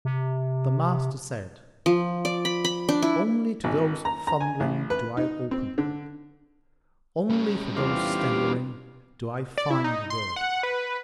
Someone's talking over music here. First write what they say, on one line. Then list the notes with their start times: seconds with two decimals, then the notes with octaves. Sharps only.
The Master said, Only to those fumbling do I open, only for those stammering do I find the word.
0.05 C3
1.86 F3
2.25 D5
2.45 B5
2.64 B5
2.89 D4
3.02 E4
3.64 G#1
4.05 A#5
4.27 A#5
4.40 G#5
4.60 A1
4.90 B4
5.17 D#4
5.51 C4
5.78 D3
7.30 G3 C#4
7.77 E2 D3 E3 D4 F4 G4 C5 F5
9.58 D5
9.70 E4
9.84 D#4
10.10 C6
10.36 F#5
10.63 B4